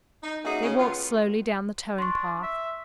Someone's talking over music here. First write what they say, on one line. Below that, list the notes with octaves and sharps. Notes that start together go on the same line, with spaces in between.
They walked slowly down the towing-path.
D#4
A#3 C#4 D#4 F#4 G#4 E5
C#3 C#4
D#3 A#3 B3 F4
D4 C6 C#6
E5